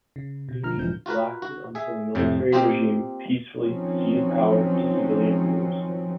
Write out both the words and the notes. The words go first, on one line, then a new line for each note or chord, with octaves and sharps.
The dictatorship lasted until the military regime peacefully ceded power to civilian rulers.
C#3
B2
A#1 D3 A#5 F6
E1 A2 F3 G6
F4 F#4 A#4 B4
F#4
G#4 E5
F2 A2 C3 F3
A#3 C4 F4 G4 C5 D#5
D#3 F3 F#3 C4 C#4